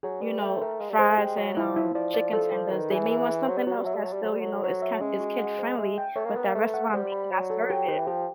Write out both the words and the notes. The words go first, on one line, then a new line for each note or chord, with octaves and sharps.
you know, fries and, um, chicken tenders. They may want something else that's still, you know, is kin is kid friendly, but that restaurant may not serve it.
F#3 G#4
G3 B4
A3 G5
A3 A#4
G#3 F5
G3
G#3 C5
A3
G#3 G4
F#3 D#5
F3 E4
E4
F3 D5
D5
A4
C5
D#3 B4
E3 G#4
E5
G#4
F#3 C5
G3
F#3 F#4
G3
F#3 E5
G3
F#3 A5
G3
F#3 C5
G3
F#3 A4
F#3 C5
E5
G#3 C#4
F#4
F#5
C5
G#3 E5
G5
A3 C#5
A#3
B3 A#4
A#3
A3 B4
F#5
G3 C5
B5
F#3 D5
A4
G4
D#3 G4
E3
F3 G4